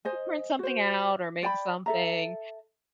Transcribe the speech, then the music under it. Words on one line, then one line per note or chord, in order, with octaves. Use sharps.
print something out or make something
C5 D#5 G#5
F#4 C5
D5 G5 B5
A4 E5 A#5